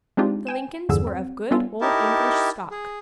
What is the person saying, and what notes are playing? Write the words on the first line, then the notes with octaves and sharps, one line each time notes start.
The Lincolns were of good old English stock.
G#3 C4 D4 D#4 F4 G4
G5 G#5 E7
E2 G2 D3 F3 G#4 E6
C4
G3 B3 C#4 D4 F4 A4
D#4 E4 G4 A#4 A5
G#4